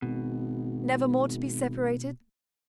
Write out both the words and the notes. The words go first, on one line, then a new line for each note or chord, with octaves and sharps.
"Never more to be separated?"
G#1 B2